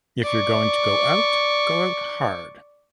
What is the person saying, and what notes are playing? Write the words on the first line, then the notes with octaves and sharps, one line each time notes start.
If you're going to go out, go out hard.
D5 C#6